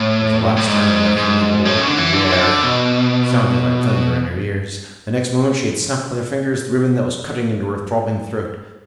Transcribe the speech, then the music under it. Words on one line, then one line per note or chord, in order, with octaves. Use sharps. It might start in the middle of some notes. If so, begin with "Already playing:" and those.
For the last time that formidable "Beware!" sounded like thunder in her ears; the next moment she had snapped with her fingers the ribbon that was cutting into her throbbing throat.
Already playing: A2
A2
G#2
G#2
A2
C#3
D3
E3
D3
E3
D3
B2